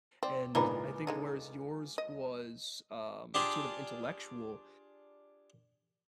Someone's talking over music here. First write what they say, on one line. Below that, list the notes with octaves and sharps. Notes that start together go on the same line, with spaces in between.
and I think whereas yours was, um, sort of intellectual,
C4 D5
C#2 A#2 E3 B3 D4 D#4 A#5 B5
D3 G#3 D#4
D#5
D4 F4 G4 G#4 D5